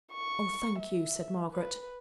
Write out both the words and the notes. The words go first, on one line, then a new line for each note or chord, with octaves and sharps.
'Oh, thank you!' said Margaret.
C#6
E5
B4